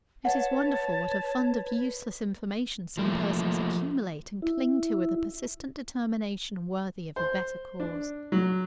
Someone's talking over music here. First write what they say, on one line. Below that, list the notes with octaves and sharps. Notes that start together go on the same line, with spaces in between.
It is wonderful what a fund of useless information some persons accumulate and cling to with a persistent determination worthy of a better cause.
B4 C#5 F#5 A5
F3 A3 A#3
E4
C5
D4
F#3